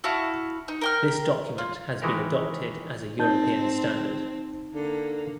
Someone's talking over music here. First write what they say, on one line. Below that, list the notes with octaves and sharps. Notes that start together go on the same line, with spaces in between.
This document has been adopted as a European standard.
E4 F#4 F5 A5
D#4
A#4 G5 F6
F4
D#3 E3 G#3 F#4 G4 A#4
C4 D#4 A5 G6
D3 A#3